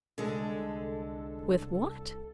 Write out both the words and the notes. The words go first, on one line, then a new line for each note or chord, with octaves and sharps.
"With what?"
C2 D3 G#3 A4